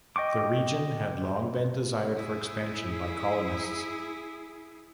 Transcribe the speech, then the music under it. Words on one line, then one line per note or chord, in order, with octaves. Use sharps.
The region had long been desired for expansion by colonists.
D#5 G5 C#6 D6
E4 G#4